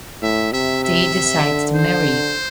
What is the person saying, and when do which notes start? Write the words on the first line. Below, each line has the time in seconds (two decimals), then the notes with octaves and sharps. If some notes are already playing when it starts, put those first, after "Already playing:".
They decide to marry.
0.22 A2 E5
0.53 C3 E5
0.84 E5
1.14 C3
1.45 D3
1.75 C5